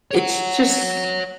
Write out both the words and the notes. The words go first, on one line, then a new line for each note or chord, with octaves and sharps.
it's just
C#5 F#5